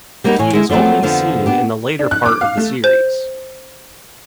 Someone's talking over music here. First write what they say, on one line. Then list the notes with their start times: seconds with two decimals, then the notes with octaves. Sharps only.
He is only seen in the later part of the series.
0.24 G3 A#3 B3 C#4 D#4 G4
0.38 A2 C#5 G#5
0.53 G#3 E4
0.69 F3 F#3 A3 B3 C4
1.02 F2 D3 F3 B3 D4
1.46 B3 D4 G4
1.99 D4
2.11 F#6
2.26 D6
2.41 F5
2.57 A3
2.84 C5 G6